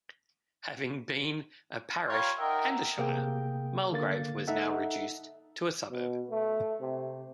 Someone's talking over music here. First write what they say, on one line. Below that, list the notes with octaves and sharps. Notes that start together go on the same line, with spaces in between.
Having been a parish and a shire, Mulgrave was now reduced to a suburb.
G3 F4 A#4 C#5 F5 C6
D#4 A#4 D#5 E5 F#5 G5
C3 A#3 G#4 G5
D3 A#3 A6
D#4 A4 E5 F#5
B2
A3
C3